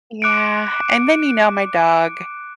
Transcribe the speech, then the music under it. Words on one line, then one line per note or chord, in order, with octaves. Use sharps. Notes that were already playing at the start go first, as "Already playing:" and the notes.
yeah, and then, you know, my dog,
D6 F#6 C#7 D7